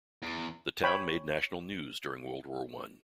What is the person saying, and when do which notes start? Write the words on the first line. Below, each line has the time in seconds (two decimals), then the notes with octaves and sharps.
The town made national news during World War One.
0.22 E2
0.83 C#5 G5 B5